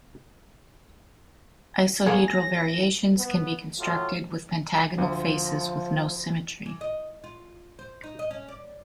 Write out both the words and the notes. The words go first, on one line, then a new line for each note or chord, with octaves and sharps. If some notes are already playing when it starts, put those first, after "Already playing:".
Isohedral variations can be constructed with pentagonal faces with no symmetry.
A#3 B3 G#4 A#4 C#5
A#6
B3
A2 F#3 F4
D2 F3
E3
D#5
F4
C5
D#4
D#5
C#4
D5